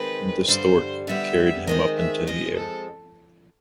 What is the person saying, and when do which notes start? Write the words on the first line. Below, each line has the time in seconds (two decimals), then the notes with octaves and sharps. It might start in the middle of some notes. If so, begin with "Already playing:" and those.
The Stork carried him up into the air.
Already playing: D#3 G#3 C4 B4
0.48 G2 D3 G3 C5
1.07 D3 G3 B3 E5
1.67 D#3 G#3 C4 D#5
1.98 E5
2.26 F3 G#3 C4 D#5
2.56 A4